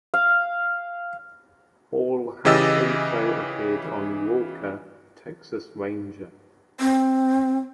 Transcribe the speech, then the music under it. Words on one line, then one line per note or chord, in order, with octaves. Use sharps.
Ball has also appeared on "Walker, Texas Ranger".
F5
C#3 E3 G4 D#5 E6 A6
C4